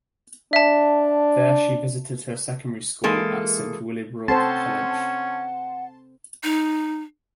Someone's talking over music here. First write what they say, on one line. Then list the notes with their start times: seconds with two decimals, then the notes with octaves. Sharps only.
There she visited her secondary school at Sint Willibrord College.
0.53 D4 E5 A5
3.04 E3 G#3 A#3 A4
4.28 C4 C#4 A4 C5 F#5 A5 C6
6.44 D#4